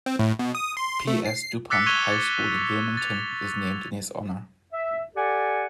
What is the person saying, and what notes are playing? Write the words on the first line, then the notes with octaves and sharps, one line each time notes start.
P. S. Dupont High School in Wilmington is named in his honor.
C4
A2
B2
D#6
C6
A3
C7
D6 E6 F#6 A6 B6 C#7
C#6 F#6 G#6 D#7 F7 G7
A6
A6 F7
E5
G4 A4 D5 F#5 G#5